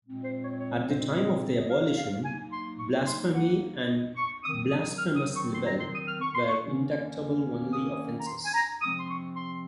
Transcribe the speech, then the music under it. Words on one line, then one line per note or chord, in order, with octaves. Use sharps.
At the time of their abolition, blasphemy and blasphemous libel were indictable-only offences.
A#2 G#3 C4
C5
C#5
C#5
C5
D#5
D#5
F5
F5
F#3 A#3 D#4 G#5
C6
C#6
C6
F#5
D#5
C#6
D#3 F#3 C4 D#6
D#6
F6
D#6
C#6
C6
A#5
C6
D#6
F6
C#6
C6
C#6
D#3 A#3 C#4
D#6
A#5
C6
G#5
A#5
C3 F3 G#3 C4 D#6
C6
C#6
C6